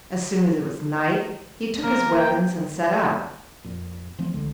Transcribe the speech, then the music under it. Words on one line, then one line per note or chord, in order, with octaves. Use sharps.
As soon as it was night, he took his weapons and set out.
A#3 A#4
G5
F2 A#2
E3 F3 A3 C4
C2 D3 G#3